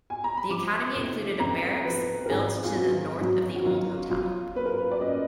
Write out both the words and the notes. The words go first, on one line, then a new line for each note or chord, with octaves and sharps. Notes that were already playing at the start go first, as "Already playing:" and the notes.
The Academy included a barracks built to the north of the old hotel.
G#5
A#5
B5
F3 D6
F1
F2 A#5
F3 B4
A#4
G#1 G#4
F4
F#3 F#4
F#3 F#4
F#4
F#3 F4
F#3 F4
A#3 B4
A#4
B4
D5
F#2 D#5